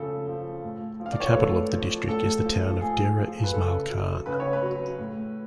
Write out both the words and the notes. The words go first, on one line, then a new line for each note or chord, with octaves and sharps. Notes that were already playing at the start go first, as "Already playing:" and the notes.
The capital of the district is the town of Dera Ismail Khan.
Already playing: C#3 F3 A4
F3
A2
F3
F5
D5
C#5
B4
A2 A4
F3
A2 A4
F3
A2 G#4
F3
B4
C#3 A4
F#3
C#3 B4
C#5
B4
F#3
A2